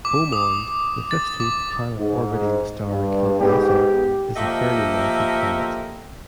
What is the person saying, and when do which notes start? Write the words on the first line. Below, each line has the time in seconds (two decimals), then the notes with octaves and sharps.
Beaumonde, the fifteenth planet orbiting the star Kalidasa, is a fairly wealthy planet.
0.05 D6
0.32 D#6
1.11 A6
1.40 D6
1.97 G#2
2.87 G2
3.40 G#2 B3 G4
4.36 F3 A#3 G4 A4 D#5 E5